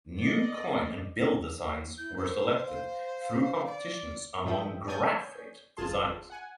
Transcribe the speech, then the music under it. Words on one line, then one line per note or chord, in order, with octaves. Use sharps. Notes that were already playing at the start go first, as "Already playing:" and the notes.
New coin and bill designs were selected through competitions among graphic designers.
D5 D#5
E4 G6
A#4 C5
F5
D5
G#2 D#3 F3 E5 G5 D#6
C#5 D5 G#5 D#6 G6 G#6
G1 F4 G#4 A5 C6
F#5 G#5